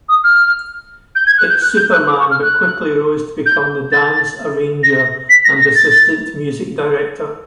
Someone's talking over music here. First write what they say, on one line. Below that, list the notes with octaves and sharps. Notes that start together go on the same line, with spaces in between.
It's Superman but quickly rose to become the dance arranger and assistant music director.
D#6
F6
G6
G#6
F#6
G6
F#6
G6
F#6
D6
C#6
F6
F#6
G6
A6
A#6
B6
A#6
A#6
A6